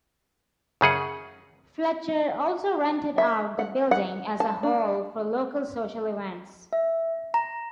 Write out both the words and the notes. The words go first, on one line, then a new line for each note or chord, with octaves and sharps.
Fletcher also rented out the building as a hall for local social events.
F#2 C#3 G#4 F#5
E5
F#5
F#5
A5
D4
E5
A#5